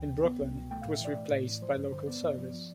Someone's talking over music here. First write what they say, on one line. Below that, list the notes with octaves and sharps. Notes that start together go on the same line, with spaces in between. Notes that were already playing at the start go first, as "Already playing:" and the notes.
In Brooklyn, it was replaced by local service.
Already playing: D2 E3 G5
C3
B3
C2
B2
A3 G5
A2 F5
E5
E3 D5
A3
A2
E3
F3 C5
G2
D3 C5
B3 D5
G2
F3
F3